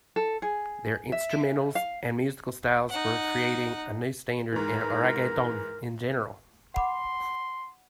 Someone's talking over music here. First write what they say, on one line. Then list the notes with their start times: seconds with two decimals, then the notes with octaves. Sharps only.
Their instrumentals and musical styles were creating a new standard in reggaeton in general.
0.16 A4
0.42 G#4
1.12 E5
1.75 F5
2.90 D#4 F#5
4.52 G#2 E3 A#4
6.74 F#5 B5 C6 D6